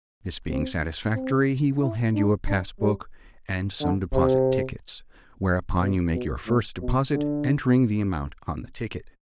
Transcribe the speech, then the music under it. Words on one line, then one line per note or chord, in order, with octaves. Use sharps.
This being satisfactory, he will hand you a passbook, and some deposit tickets, whereupon you make your first deposit, entering the amount on the ticket.
C4
C4
E4
D4
D4
G3
D3
C3
B2
B2
A2
B2
D3